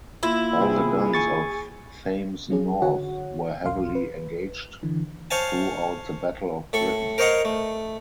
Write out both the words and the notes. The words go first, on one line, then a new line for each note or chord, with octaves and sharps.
All the guns of Thames North were heavily engaged throughout the Battle of Britain.
A#3 E4 F4
C3 C4 G#4
G#5 C#6 A6
F#3 C#4 G#4
D3 F#4 C#5 F#5
B1 E2 F5 C6
B4
D3 E3
C5 C#5 F5 G#5 A5
A2 A4 C#6
A#4 C5 C#5 D#5 F5 F#5
A3